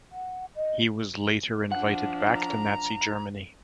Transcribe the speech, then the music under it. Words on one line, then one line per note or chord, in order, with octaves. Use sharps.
He was later invited back to Nazi Germany.
F#5
D#5
F3 D4 F#5
A#5